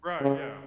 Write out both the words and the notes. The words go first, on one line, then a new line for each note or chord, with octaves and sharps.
Right, yeah.
C#3